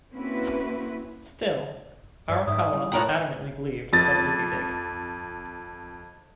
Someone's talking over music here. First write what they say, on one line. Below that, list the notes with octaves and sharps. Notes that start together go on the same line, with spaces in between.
Still, Arakawa adamantly believed that it would be big.
A#3 C4 C#4 E4 F#4 B4
G2 D5
G#2 E5 D#6
D5
G3 E4
A2 F4 A#4 F#5
F2 A6